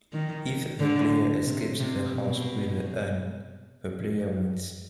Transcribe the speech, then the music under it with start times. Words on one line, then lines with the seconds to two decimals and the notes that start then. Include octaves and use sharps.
If the player escapes the house with the urn, the player wins.
0.13 D#3
0.80 D3
1.47 C3
1.80 C3
2.13 B2